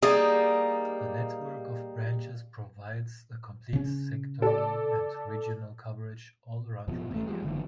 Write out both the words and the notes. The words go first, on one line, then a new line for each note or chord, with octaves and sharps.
The network of branches provides a complete sectoral and regional coverage, all around Romania.
G3 A#3 D#4 G#4
C#3 C#4
A4 D5
F2 B2 F3
A1 A3
F3 G3 G#3
F#1 D3 E3